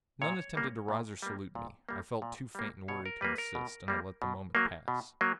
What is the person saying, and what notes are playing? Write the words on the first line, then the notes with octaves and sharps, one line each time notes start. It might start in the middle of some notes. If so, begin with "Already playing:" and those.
None attempted to rise or salute me. I felt too faint and weary to insist, and I let the moment pass.
A#2 C#5
G3 A#3
A#2
G3 A#3
A#2
G3 A#3
A#2
G3 A#3
B2 C#5
A#4
G3 A#3 B4
A#4
B2
G3 A#3
B2
F#3 A#3
B2
F#3 A#3